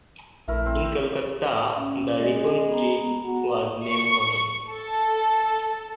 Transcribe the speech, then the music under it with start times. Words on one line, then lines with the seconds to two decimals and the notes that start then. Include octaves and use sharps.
In Calcutta, the Ripon Street was named for him.
0.48 A#1 A3 E4 A#4
0.66 C4
1.77 C#4
2.19 G#3
2.68 B3 A#5
3.25 F#4
3.85 C#6
4.70 A4